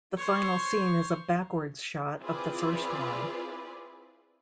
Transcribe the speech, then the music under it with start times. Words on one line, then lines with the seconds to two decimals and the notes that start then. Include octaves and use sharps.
The final scene is a backwards shot of the first one.
0.17 C5 C#5
2.20 C4 E4 F4 G#4 B4 D5